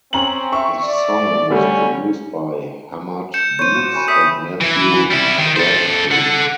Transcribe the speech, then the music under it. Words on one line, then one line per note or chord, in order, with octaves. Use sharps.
The song was produced by Hammad Beats and Matthew Crabtree.
C4 C#4 A#5 F#7
E5 C#6
D5
D3 G3 A3 C#4
G6 C#7 E7
C5 C#5 G6 D#7
F#4 D6
G5 G#5 B5
C#5 D#5 E5 D#6 B6
E3
G3 E4
D#3
A4 C5
A4 F#5